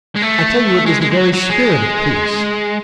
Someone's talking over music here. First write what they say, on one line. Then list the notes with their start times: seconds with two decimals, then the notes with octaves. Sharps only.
I tell you it was the very spirit of peace.
0.16 G#3
0.22 A3
0.86 G#3
1.01 G#3
1.11 G#3
1.17 F#3
1.33 F#3
1.50 G#3